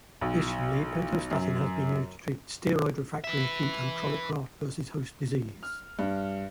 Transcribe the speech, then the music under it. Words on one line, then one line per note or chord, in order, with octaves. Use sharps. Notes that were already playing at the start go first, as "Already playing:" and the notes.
Additionally, pentostatin has been used to treat steroid-refractory acute and chronic graft-versus-host disease.
B1
F#2
B4 E5
F6
G2